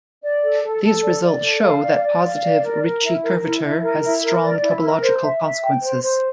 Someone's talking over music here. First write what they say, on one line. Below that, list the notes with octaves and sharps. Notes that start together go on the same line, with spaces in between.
These results show that positive Ricci curvature has strong topological consequences.
D5
A4
A4
A4
D5
D5
A4
F5
D5
D5
F5
D5
A#4
A#4
E4
A#4
E4
E4
A#4
E4
A#4
D5
E4
A#4
C5
E5
E5
G5
C5
C5